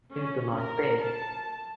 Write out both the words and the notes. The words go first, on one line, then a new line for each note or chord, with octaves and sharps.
They do not pay.
C#4
A#4
A5